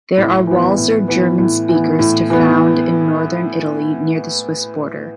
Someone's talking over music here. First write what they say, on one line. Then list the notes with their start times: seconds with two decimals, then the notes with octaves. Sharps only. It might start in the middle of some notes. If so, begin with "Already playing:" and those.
There are Walser German speakers to found in northern Italy near the Swiss border.
0.17 A2
0.47 E3 B3
0.78 A2
1.08 E3 B3
1.38 A2
1.69 E3 B3
1.99 A2
2.30 E3 B3